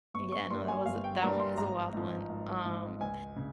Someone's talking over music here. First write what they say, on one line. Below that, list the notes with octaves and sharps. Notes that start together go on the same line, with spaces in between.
Yeah, no, that was that one is a wild one. Um,
G1 C#6
C#6
G2 G3 A#3 C6
G#5
G1 F5
G5
G2 G3 A#3 A#5
C6
G#1 A#5
G#2 F3
G#1
G#2 F3
C#2 G#5
C#3